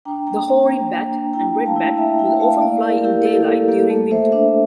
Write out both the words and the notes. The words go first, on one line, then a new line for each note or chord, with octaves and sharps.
The hoary bat and red bat will often fly in daylight during winter.
D4 G5 A#5
A#3 G5 A#5
A#3 G5 A#5
A#3 G5 A#5
A#3
D4
E4 G5 A#5
A3
F5 A5
E4
E4 E5 G5
E4 E5 G5
A3 F5 A5
A#3 D5 F5
E4 A#4 D5
E4 G4 A#4
E4 A4
A#3 A4
A#3 G4
A3 A4
A3 C5 E5
D4 C5 E5